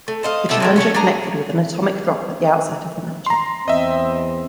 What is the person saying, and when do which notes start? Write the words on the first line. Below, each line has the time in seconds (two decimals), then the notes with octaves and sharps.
The challenger connected with an atomic drop at the outset of the matchup.
0.08 A3
0.23 C5 D#5 F5
0.49 B2 E4 G4 A4
0.60 E3 F3 G#3
0.76 A3 C#4 D4 C#5
0.94 D4 G#4 G#5 A#5
3.26 A#5 C6
3.68 E2 C4 D#5 E5